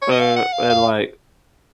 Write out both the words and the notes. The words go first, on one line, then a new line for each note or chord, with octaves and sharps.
uh, and, like
C#5
D#5
F5
F#5
F5
F5